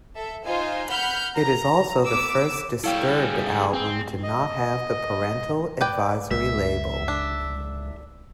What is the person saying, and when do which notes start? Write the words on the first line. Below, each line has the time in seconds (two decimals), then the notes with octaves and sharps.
It is also the first Disturbed album to not have the Parental Advisory label.
0.16 A4 E5
0.46 D#4 F4 C5 G#5
0.90 F#5 B5 F6 G6
1.35 A#5
2.05 B3 D6 E6
2.84 G3 E4 A4 C#5 F5 G5
3.15 G#4
3.73 C4
4.23 D#5
5.81 B4 D5 G5
6.31 C#2 G#3 E5
7.08 D4